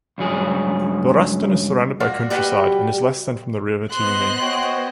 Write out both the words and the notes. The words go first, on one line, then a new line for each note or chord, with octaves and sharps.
Boraston is surrounded by countryside and is less than from the River Teme.
C#2 G2 F#3 G#4
D4 F4 F#4
G3 F#4 G4 B4
B3 C5 D#5 C6 F#6
F#4 C#5 G5